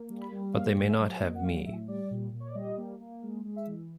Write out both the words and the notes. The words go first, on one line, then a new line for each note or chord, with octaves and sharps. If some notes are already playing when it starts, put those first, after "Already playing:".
But they may not have me.
Already playing: A#3
G3
B5
G3
A#3 F5
A2
E5
F#3
A#3 D#5
F#5
F#3 F5
A2 E5
G3 D5
A#2
A#2
C#5
D5
G3 D#5
A#3
A#3
G#3
G#3
E5
E3